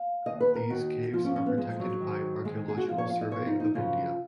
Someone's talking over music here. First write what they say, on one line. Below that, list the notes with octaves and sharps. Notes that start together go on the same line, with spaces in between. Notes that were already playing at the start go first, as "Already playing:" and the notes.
These caves are protected by Archaeological Survey of India.
Already playing: F5
D#2 D#3 D#5
B4
A#4
D#2 D#3 F#4
G#2 F3 F4
C#4
C#4
B3
G#2 F3 G#3
F#3
G#2 D#3
G#2 D#3 G#3
G#4
F#4
G#2 F3 F4
C#5
F5
D#5
G#2 F3 C#5
D#4
D#4
F#2 C#3 F3 F4